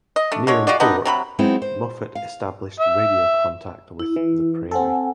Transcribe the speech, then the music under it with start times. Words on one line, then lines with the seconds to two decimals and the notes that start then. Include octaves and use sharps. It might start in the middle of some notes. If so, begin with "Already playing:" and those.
Nearing port, Moffett established radio contact with the "Prairie".
0.16 D#5
0.32 A3 D4
0.47 D3 G#3 C#5
0.67 G#3 F4 F#4 D5
0.80 B3 D4 D#4 D#5
1.05 C3 F#3 B5
1.39 F#3 G#3 B3 C4 D#4 E4
1.62 C5
2.15 F5
2.80 E5
4.00 E4
4.16 E3
4.71 C4 A4 F#5 G#5